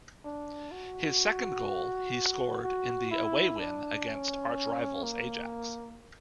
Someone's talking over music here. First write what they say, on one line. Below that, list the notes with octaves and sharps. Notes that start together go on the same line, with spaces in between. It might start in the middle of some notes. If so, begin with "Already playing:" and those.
His second goal he scored in the away win against arch rivals Ajax.
D4
F#4
F#4
E4
D4
C#4
A#3